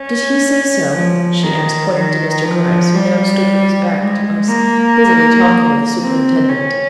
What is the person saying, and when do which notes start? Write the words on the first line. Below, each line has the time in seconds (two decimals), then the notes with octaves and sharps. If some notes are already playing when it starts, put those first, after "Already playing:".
"Did he say so?" she asked, pointing to Mr. Gryce who now stood with his back to us busily talking with the Superintendent.
Already playing: C#4
0.93 F3
1.43 D#3
1.94 D#3
2.44 F3
2.96 G3
3.96 G#3
4.48 A#3
5.99 C4
6.49 C#4